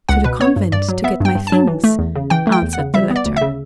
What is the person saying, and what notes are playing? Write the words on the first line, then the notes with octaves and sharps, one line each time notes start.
"To the convent to get my things," answered the latter.
C#2 F#5
B2 B4
B3 C#5
G2
G2 D5
F#3
B3 E5
G2 G5
G2
A5
F#3
E3
A3
E2
C#3
E3 G5
A3
G5
E2
F#5
C#3
G3 E5
B3
D5
D2
E5
C#3